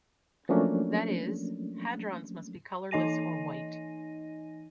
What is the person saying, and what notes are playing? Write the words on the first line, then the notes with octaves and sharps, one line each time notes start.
That is, hadrons must be "colorless" or "white".
F3 F#3 A3 A#3 C#4 D4
E3 D#4 D#5 G#5 A#6 D#7